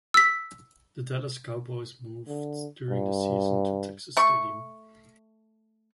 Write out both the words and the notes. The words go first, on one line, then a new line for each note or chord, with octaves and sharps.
The Dallas Cowboys moved during the season to Texas Stadium.
E6 B6
D3
G2
A3 C#6